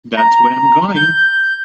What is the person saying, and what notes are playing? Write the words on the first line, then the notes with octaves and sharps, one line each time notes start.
That's where I'm going.
A#5
G6